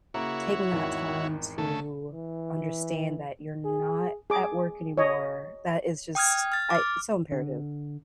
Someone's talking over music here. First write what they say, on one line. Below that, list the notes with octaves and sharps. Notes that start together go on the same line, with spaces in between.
taking that time to understand that you're not at work anymore, that is just I so imperative.
C#3 A#3 E4 F#4 A#4 C#5
G#1 E2 D#3
C#3 A3 A4
E3
G#4
G#4 D6
C#5 D#5
G5 D#6 F6 G#6
F6 A6
D6 F6
D3